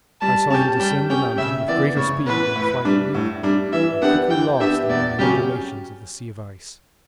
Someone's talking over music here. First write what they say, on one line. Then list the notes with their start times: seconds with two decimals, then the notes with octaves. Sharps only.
I saw him descend the mountain with greater speed than the flight of an eagle, and quickly lost among the undulations of the sea of ice.
0.21 G3 A5
0.50 C#4 G4 A5
0.80 G3 G5
1.10 C#4 G4 G5
1.38 C#3 E5
1.68 E3 B3 D5
1.97 C#3 C#5
2.26 E3 B3 B4
2.56 A2
2.85 G3 D4
3.14 A2
3.43 G3 D4
3.73 E3 E5
4.02 B3 D4 G4 F#5
4.30 E3 G5
4.60 B3 D4 G4 E5
4.89 E2 D5
5.19 C#3 F#3 C#4 G4